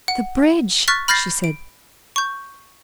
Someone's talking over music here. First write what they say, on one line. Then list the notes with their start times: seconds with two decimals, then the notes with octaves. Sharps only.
"The bridge!" she said.
0.08 F#5
0.88 C#6 F6 F#6 A6 B6
1.08 B5 F6 G6 A6 A#6 C7
1.44 D7
2.16 C#6 G6